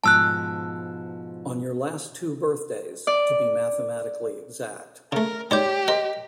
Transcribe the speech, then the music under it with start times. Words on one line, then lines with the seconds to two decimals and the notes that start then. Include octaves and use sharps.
On your last two birthdays, to be mathematically exact.
0.04 G#2 B2 F3 A5 E6 F#6
3.07 D5
5.12 C#3 A3 A#4
5.51 G#2 G3 G4 C#5 D6 G6
5.88 A#4 C5 D#5